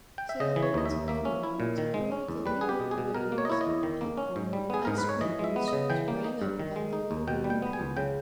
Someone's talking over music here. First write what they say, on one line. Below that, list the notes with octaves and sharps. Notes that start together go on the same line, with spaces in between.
Sailboats and rowboats furrowed the lenient waves, popcorn and ice-cream booths sprang up about the little wooden pier.
G5
E5
C#3 D#5
E3
C#5
D#2 D#5
E5
D#2
A#3 E5
C#4
E4
A#2
D#3
G#3
C#4
E2
G3 B4
B3 G#4
G4
B2
G#4
B2
B2 A#4
A#3
C#5
D#5
E4 C#5
D#5
E2
D#3
A#3
C#4
G#2
G3
B3 G#4
G#2 A#4
B4
G#2
C#5
E3 D#5
G#3 E5
B3
C#3 D#5
E3 G5
A#3
D#4
G2
D#3
G#3
D#4
D#2
B2 G5
G3
G5
B3
G#5
C#2
C#3 G5